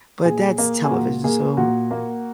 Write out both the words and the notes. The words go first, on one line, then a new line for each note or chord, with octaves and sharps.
But that's television, so
A#2 G#4
A#3
G#4
A#2 F#4
A#3 G#4
A#2 F#4
A#3